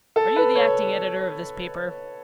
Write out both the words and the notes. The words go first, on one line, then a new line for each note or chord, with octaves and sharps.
"Are you the acting editor of this paper?"
A4
B4
C#5